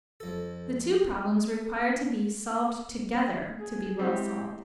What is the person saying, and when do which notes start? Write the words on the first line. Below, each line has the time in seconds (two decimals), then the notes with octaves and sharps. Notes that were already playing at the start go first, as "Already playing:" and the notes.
The two problems require to be solved together, to be well solved.
0.20 F2 A4
3.59 G#4
3.99 G3 G#3 C4 E4 G4